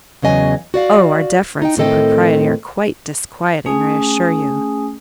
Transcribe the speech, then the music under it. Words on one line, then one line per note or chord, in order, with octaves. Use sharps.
Oh! our deference and propriety are quite disquieting, I assure you.
E2 C#3 F#3 D#5 G#5
F#4 D5 F5
D#4 D#5 G5
A2 D#3 C4 A4 D#5 G5
A3 C#4 G#4 G#5 D#6